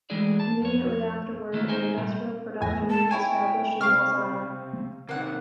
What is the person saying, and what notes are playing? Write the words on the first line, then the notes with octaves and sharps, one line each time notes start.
Immediately afterward, an industrial production was established in Bolzano.
E3 G#3 A3 E4 G#4 D5
A5
F2 C#5
D#3 A3 A#3 E4
D#4 A#4 C5 D#5 G#5
A#2 G3
E2 A2 E5 G#5 A#6
G#3
A5
E4 C#5 G5 G#5
C3 F5 C#6 F6
C3 D#3 A#3 F#5